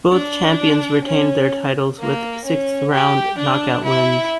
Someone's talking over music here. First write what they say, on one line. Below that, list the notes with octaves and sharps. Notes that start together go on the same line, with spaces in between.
Both champions retained their titles with sixth-round knockout wins.
D4
C#4
A#3
C#4
G4
D4
E4